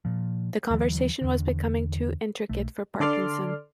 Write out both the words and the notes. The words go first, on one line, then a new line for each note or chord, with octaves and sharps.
The conversation was becoming too intricate for Parkinson.
A#2 F3
D#2 D3 E3 F#3
E2 D3
B1 A3
D3 A4 D5 C6 D6 F6